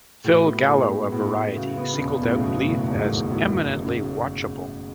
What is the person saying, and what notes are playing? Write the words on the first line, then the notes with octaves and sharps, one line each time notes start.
Phil Gallo of "Variety" singled out Bleeth as "eminently watchable".
A2 F#4
B3
A2 G#3
F#4
A2 B3
B3
C#3 F#4
B3
C#3
E2 B2
F#1 A2
C#3
B2 F#3
F#1 A2
E2 G#2
A2
G#2 D#3
A2 F#3
F#1
C#3